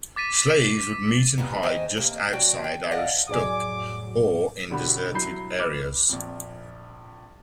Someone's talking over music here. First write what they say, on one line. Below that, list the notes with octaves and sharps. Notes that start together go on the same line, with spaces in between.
Slaves would meet and hide just outside Aroostook or in deserted areas.
D6 A6 B6 D#7
A#2 E3 B3 F4 G4
G#2 C#3 C5 D#5 G5 G#5
E2 C3 A#3
A2 F#3 F#4 D5 G5 A5
G5
A#4 D5 D#5 F5 F#5 A5
F1 A2 F#3 G#4 D5 G#5 D6
E1 D3 F#4 G4 B5
F#3 E4 B5 G6 C7
B4 D6 F6
A#1 F2